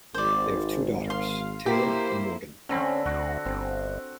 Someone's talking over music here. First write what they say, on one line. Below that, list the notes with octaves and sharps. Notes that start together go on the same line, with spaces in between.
They have two daughters, Taylor and Morgan.
G#1 C5 D5
F5 C6
A#3 E4 G4 C5
D3 C4 C#4 B5
D2 F#4
G1 C4